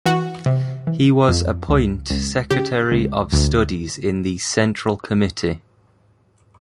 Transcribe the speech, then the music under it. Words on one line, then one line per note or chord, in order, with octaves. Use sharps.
He was appoint Secretary of Studies in the Central Committee.
E3 F#4
C3
E3
F2
C#2
C#2
C#3 G4
C#2
D2